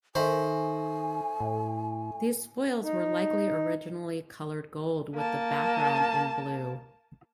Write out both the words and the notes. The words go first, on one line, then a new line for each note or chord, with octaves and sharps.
These spoils were likely originally colored gold, with the background in blue.
D#3 A4 C5 E5 G#5 B5 C#6
A2
D#4
A#3 A5